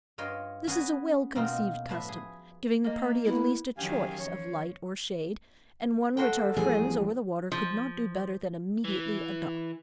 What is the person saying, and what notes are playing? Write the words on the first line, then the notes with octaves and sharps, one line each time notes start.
This is a well-conceived custom, giving the party at least a choice of light or shade, and one which our friends over the water could not do better than immediately adopt.
G2 F4 C#5 D#5 G5
C#4 F#4 G#4 B4 F#5 G#5
B2 A#3 C4 D#4 F4
A2 F3 B4 E5
G#4
A#3 A#4 D#5
B3 E4
F#2 D#3 F#3 G4 F5 G#5
F3 C#5
D#2 F#4 A4 C5 G5
A1 F3 G3 G#4
F3
E3